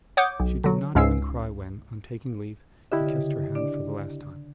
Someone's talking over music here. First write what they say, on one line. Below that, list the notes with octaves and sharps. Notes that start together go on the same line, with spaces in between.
She did not even cry when, on taking leave, he kissed her hand for the last time.
C#5 F#5 D6 D#6 G6
B1
D3 F#3
C#2 G#2 C#4 E6 C7
D3 E4 G4 D#5
C#3
D4 D5